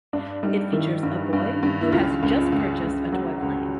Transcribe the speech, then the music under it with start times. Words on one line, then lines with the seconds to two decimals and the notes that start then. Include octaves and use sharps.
It features a boy who has just purchased a toy plane.
0.13 G2 D4
0.43 G3 D#4
0.73 D#3 E4
1.03 G2
1.33 G2
1.63 G2
1.81 E4
1.92 C#2 F4
2.23 C#2
2.52 C#2
2.83 C#2
3.12 F#3
3.42 C#2